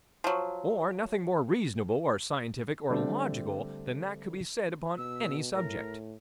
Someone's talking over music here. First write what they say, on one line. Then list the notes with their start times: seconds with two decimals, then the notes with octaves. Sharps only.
Or nothing more reasonable or scientific or logical than that could be said upon any subject.
0.24 F3 F#3
2.90 D3 G3 A3 C4 D4
4.97 B2 E6
5.53 A2 A#4